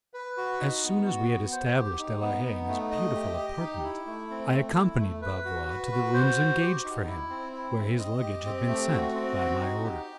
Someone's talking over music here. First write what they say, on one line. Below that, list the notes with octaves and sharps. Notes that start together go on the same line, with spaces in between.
As soon as we had established De la Haye in his beautiful apartment, I accompanied Bavois to the rooms engaged for him, where his luggage had been sent by my orders.
B4
F#4
D#4
B3
F#4
B3
C5
G4
D#4
B3
D#4
A3
D#5
G4
G4
D#4
E4
A3
C4
A3
E4
A3
B4
F#4
B4
F#4
C5
F#4
G4
D#4
E4
C4
E4
C4
D#5
G4
C4
A3
F#4
C4
F#4
D#4
G4